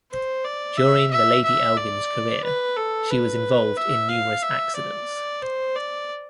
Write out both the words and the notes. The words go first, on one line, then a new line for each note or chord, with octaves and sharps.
During the "Lady Elgin's" career she was involved in numerous accidents.
C5
D5
E5
E5
E5
D5
B4
A4
B4
E5
F5
E5
D5
C5
D5